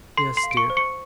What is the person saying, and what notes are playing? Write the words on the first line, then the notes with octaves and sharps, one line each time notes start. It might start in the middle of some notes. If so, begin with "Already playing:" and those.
"Yes, dear!"
A4 C6 C7
C6 C7
F5
D7
C#6 C#7
C5
C#6 C#7